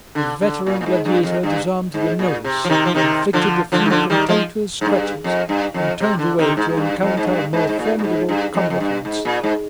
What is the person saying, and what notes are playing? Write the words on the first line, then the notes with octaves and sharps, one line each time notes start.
The veteran gladiator disarmed the novice, inflicted a few contemptuous scratches, and turned away to encounter more formidable combatants.
D3
D3
A#2
A#2
G#2
G2
F2
G2
G#2
A#2
C3
F3
C3 D#3
F3
C3 D#3
D3 F3
D3 F3
D#3
D3 F3
D#3 G3
F3 G#3
G#2
G2
F2
G2
F2
C3
D3
C3 D#3
G#2
G#2
G2
F2
G#2
G2
G#2
G#2
A#2
A#2
G#2
G2
F2
F2
G2
G#2
A#2
G#2